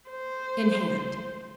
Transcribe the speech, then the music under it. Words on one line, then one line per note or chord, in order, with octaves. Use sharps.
"In hand."
C5